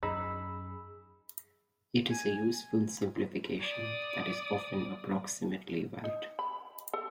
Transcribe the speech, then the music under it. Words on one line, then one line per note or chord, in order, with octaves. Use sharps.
It is a useful simplification that is often approximately valid.
F#2 D#4 G#4 B5 E6
G#5
D5 D#6
D#4
B5
A4